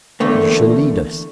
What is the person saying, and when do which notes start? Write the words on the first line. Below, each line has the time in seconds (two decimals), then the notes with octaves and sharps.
You shall lead us.
0.20 E2 D3 A3 A#3